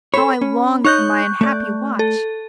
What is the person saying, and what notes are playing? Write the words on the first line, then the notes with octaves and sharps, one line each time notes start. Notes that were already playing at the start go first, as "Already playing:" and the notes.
How I longed for my unhappy watch!
A4 C5 C#5 B5
C#4
D#4 C#5 D#5 C#6 F#6 G6
A3 D5
A4